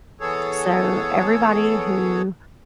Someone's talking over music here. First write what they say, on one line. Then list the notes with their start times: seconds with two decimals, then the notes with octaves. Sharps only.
So, everybody who
0.20 E3 B3 G#4 A4 C#5